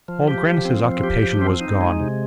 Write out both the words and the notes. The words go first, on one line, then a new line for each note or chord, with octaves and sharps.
Old Grannis's occupation was gone.
F3
G4
F3
C4
F3
G4
F3
C4
D#4
G#3
C3